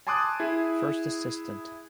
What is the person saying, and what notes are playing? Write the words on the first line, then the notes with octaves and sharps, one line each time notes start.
First Assistant.
G#5 A5 C6 D6 D#6 F#6
E4 G#4